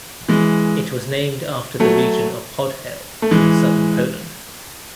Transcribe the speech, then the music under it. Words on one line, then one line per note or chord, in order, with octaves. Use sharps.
It was named after the region of Podhale in southern Poland.
E3 G#3
F#3 A3
A3
E3 G#3